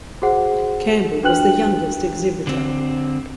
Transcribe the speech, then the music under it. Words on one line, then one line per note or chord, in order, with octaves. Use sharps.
Campbell was the youngest exhibitor.
F#4 G#4 C5 F#5
D4 F#4 B4 G5 F#6 F#7
D3 C4